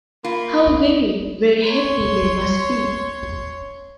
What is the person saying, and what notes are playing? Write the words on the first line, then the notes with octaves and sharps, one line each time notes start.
How very, very happy they must be!
A#3 F4 B5
C#5 C6